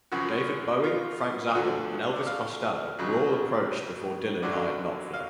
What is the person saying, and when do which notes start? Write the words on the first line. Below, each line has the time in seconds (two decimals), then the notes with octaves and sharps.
David Bowie, Frank Zappa, and Elvis Costello were all approached before Dylan hired Knopfler.
0.12 F#2 C#3 F3 F#4
0.84 F4
1.55 D2 D3 F3 F#4
2.16 D5
2.27 F5
2.99 F2 C#3 F#3
4.42 F#2 D3 F#3 D5
5.14 F5